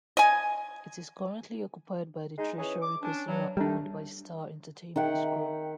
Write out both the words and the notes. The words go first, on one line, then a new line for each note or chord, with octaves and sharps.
It is currently occupied by the Treasury Casino owned by Star Entertainment Group.
D#5 G#5
G#3 D#4
E3 C#4 G#4
D6
C#4 D4
G2 F#3
G3 A3 D4 D#4
D#3 E5 F#5 G5